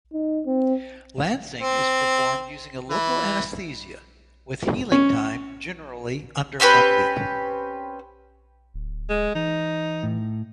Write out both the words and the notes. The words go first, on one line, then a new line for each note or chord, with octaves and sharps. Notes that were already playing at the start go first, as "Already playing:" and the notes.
Lancing is performed using a local anesthesia, with healing time generally under one week.
D#4
C4
C4
E3
C#4
C4 C#4 G4 B4
D1
G#3
E3 D#4
A2